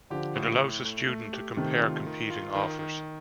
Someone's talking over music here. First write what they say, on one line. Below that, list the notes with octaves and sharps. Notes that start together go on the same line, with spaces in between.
It allows a student to compare competing offers.
D3 F3 G4
A2
A2
A3
A3
G4
C3 D#3 A3
F4
D#3
F4
D#3
D#3